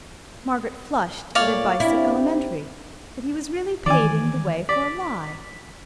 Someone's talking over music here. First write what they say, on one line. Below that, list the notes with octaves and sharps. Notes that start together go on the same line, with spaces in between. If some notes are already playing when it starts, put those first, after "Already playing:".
Margaret flushed at advice so elementary, but he was really paving the way for a lie.
A#2 A3 C#5 D5 F5
C4 D4 E4 G4
D#3 E3 D5 G#5
D5 B6